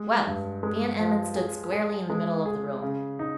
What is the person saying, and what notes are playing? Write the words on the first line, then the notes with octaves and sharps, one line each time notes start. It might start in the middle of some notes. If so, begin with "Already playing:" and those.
"Well!" Van Emmon stood squarely in the middle of the room.
Already playing: G#3
G2
G#3
F3
G#4
G#4
G#3
G#4
C#3
D#4